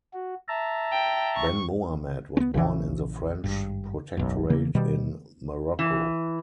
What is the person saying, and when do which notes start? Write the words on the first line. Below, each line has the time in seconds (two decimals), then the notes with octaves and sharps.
Ben Mohammed was born in the French Protectorate in Morocco.
0.13 F#4
0.48 E5 A5 A#5
0.92 G5
1.35 C#6
2.37 B3 C#4
2.54 A#1 C#3 E3
3.44 G#1 G2
4.17 E1 B1 F#2
4.50 C#3 E3 A#3
4.75 B2 D#3 G3
5.79 E3